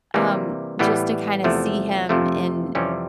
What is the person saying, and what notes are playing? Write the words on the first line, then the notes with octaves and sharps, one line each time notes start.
um, just to kinda see him in
C3 E3 G3 A#3
A2 E3 G3 B3
E2 C3 F3 A3
F2 C3 F3 A3
F2 C3 E3 G3 C#4